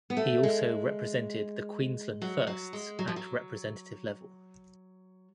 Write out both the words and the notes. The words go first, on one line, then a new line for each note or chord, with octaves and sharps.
He also represented the Queensland Firsts at representative level.
B3
A3
G#3
F#3
F#3
G#3
F#3
F3
F#3